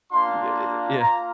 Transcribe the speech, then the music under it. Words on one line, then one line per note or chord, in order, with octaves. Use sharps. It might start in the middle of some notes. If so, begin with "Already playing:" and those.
ye yeah,
A#3 D4 F4 C6
A#3 F4 A#5